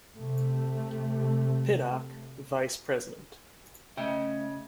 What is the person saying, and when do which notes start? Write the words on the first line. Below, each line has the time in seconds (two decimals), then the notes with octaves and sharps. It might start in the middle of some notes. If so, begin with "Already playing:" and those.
Pittock, vice president.
0.15 C3 A3
3.98 C#3 A3 C#4 D#5 E5 G5